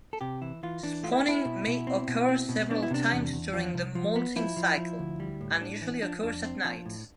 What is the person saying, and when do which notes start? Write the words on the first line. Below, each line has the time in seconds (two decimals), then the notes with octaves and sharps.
Spawning may occur several times during the moulting cycle, and usually occurs at night.
0.13 A4
0.21 C3 G4
0.42 E3 E4
0.63 E3 F4
0.83 E3 D4
1.03 A3 F4
1.12 E4
1.20 D4
1.25 C4 E4
1.45 B2
1.67 B2
1.87 C4
2.08 B2
2.29 C4
2.49 B2
2.70 B3 D4
2.83 E4
2.91 C3 D4
3.12 E2
3.33 E2
3.53 F3
3.74 C2
3.95 F3
4.16 B3
4.36 F3 E4
4.57 F3
4.77 F3
4.99 D2
5.20 G3
5.41 A2
5.61 D4
5.82 E3
6.02 F3 D4
6.23 F2 D4
6.44 C4
6.65 F3
6.86 A2